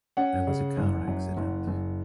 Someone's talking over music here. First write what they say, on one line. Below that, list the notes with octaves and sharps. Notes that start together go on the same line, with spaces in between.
There was a car accident.
C#4 F#5
C#3
F#1
F#2
F#1
F#1